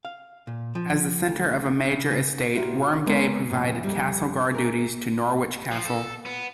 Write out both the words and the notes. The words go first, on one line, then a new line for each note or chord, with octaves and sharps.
As the centre of a major estate, Wormegay provided castle-guard duties to Norwich Castle.
F5
A#2
F3
D2
C#3
C#3
A#2 D#3 E4 F#4 G4
G#3 B3 C4 A#4 C#5 D#5
E2 A#2 C#3 F3
F2 G3
G#4 A#4
F3
A4
B3